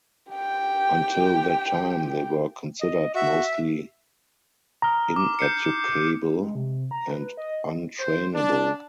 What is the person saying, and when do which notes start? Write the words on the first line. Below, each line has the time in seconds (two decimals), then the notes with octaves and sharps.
Until that time they were considered mostly ineducable and un-trainable.
0.32 G4 G5
2.80 D#5
3.14 F#4 E5
4.82 A#5 D#6 F6
5.16 D6
5.39 G6 C7 C#7
6.41 G#3
6.55 C3
6.91 A#5
7.11 B4
7.37 D#5
8.00 C5
8.34 D4